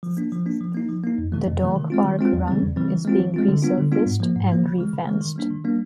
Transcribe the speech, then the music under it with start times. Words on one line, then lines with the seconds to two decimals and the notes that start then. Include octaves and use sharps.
The dog park run is being resurfaced and re-fenced.
0.03 F3
0.17 A#3 D4
0.32 F3
0.46 A#3 D4
0.61 F3
0.74 A#3 D#4
0.89 F3
1.04 A#3 D#4
1.18 F2
1.32 C3 E3 A3
1.47 F2
1.61 C3 E3 A3
1.76 D#3
1.90 G#3 C4 F4
2.04 D#3
2.19 G#3 C4 F4
2.33 E2
2.48 C#3 E3 G3 C4
2.62 E2
2.76 C#3 E3 G3 C4
2.91 E3
3.05 G#3 C4 F4
3.20 E3
3.34 G#3 C4 F4
3.49 D3
3.62 G3 B3 D4 F4
3.78 D3
3.92 G3 B3 D4 F4
4.06 G#2
4.20 F3 A#3
4.35 G#2
4.50 F3 A#3
4.64 C#3
4.78 E3 G#3
4.93 C#3
5.08 E3 G#3
5.21 D#3
5.36 G3 A#3 D4
5.51 D#3
5.64 G3 A#3 D4